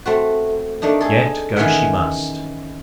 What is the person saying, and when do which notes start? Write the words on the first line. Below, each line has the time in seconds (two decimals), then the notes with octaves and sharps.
Yet go she must.
0.06 A3 C4 F#4
0.82 A3 A#3 D4 D#4
1.01 G#4 A4
1.56 D#3 E3 C#4 G#4 E5 F#5